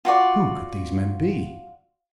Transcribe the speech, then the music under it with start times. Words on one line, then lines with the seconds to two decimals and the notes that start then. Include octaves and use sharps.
Who could these men be?
0.05 F4 F#4 D5 C#6